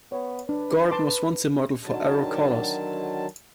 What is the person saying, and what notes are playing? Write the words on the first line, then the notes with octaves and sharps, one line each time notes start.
Gordon was once a model for Arrow Collars.
B3 C#5
D4 B4
A5 C6 D6
D3 D#3 F#3 A5